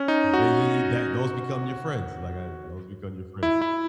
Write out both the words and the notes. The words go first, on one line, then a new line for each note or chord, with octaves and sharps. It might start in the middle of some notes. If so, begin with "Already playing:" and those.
and then you that those become your friends, like I those become your friends.
Already playing: C#4
D#4
F#4
E4
E4